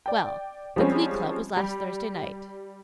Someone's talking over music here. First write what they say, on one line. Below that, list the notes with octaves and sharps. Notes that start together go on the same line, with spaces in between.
"Well--the glee club was last Thursday night."
D5 G5
F3 G3 G#3 C4 C#4
G3